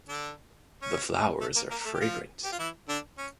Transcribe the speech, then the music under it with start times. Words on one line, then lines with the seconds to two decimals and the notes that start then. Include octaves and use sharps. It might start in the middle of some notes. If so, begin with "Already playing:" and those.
The flowers are fragrant.
0.09 D3 D4
0.82 C#4 C#5
1.41 A3 A4
1.56 A#3 A#4
1.70 A#3 A#4
1.81 A#4
1.85 A3 A4
1.94 G4
2.00 F3 F4
2.44 G4
2.52 F4
2.59 E3 E4
2.89 D3 D4
3.18 C#4